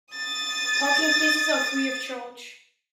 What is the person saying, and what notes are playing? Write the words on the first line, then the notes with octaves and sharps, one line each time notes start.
Parking places are free of charge.
D#6 A6